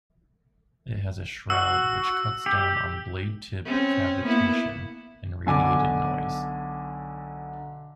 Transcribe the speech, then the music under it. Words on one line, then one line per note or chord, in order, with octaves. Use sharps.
It has a shroud which cuts down on blade-tip cavitation and radiated noise.
F#4 E6
G4
C4 C#4
A#3 B3 E4
B1 D3 G#5 D6